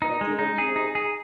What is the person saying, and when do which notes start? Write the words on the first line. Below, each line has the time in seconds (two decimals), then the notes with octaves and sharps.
but I feel, like, you know,
0.02 D#4
0.21 G#3
0.39 D#4
0.58 G#4
0.76 D#4
0.95 G#4